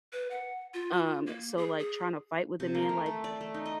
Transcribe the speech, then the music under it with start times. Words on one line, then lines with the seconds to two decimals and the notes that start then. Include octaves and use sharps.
um, so, like, tryna to fight with a man, like,
0.13 B4
0.31 F#5
0.74 F4
1.27 A#3
1.57 G#4
1.80 G#4
2.60 C3
2.75 A#3
2.89 A3
3.06 A3
3.24 D5
3.41 A3
3.54 D#4
3.66 D#5